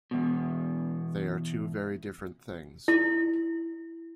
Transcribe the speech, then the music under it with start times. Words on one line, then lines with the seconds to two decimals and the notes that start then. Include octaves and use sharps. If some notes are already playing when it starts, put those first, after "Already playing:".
They are two very different things.
0.11 E2 B2
2.88 E4